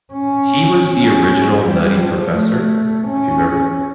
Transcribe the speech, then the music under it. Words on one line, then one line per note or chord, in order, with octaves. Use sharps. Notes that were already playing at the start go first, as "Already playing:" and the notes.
He was the original Nutty Professor, if you've ever
C#4
C#4
G3
F3
A3
C#4